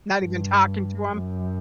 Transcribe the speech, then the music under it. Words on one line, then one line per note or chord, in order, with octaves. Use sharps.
Not even talking to him?
G2
F#2